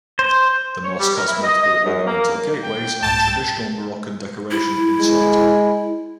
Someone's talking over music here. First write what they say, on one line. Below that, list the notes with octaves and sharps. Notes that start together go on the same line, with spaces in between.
The mosque has multiple ornamental gateways and traditional Moroccan decoration inside.
C5
C#5
G3
A#4
E4
D#5
D#5
F#2
A#3
G5
C2 G#2 A5
E4
G#3